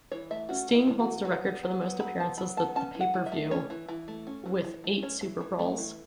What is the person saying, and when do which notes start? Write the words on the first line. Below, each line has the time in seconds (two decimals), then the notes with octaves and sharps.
Sting holds the record for most appearances at the pay-per-view with eight SuperBrawls.
0.12 E3 C#5
0.31 A3 E5
0.49 C#4 F#4
0.69 E3
0.75 E4
0.87 E3
1.00 F#4
1.05 A3
1.25 F#3 B4
1.44 B3
1.63 F#3
1.81 B3
2.00 F#3 B5
2.20 B3 A5
2.37 F#3 B5
2.57 B3 A5
2.76 C#4 A5
2.95 E3
3.00 F#5
3.14 E3
3.26 E5
3.32 A3
3.51 C#4 C#5
3.70 E3
3.88 E3
4.08 A3
4.27 C#4
4.46 E3
4.64 E3
4.84 A3
5.02 C#4 C#5
5.21 E3
5.41 E3
5.59 A3
5.78 E3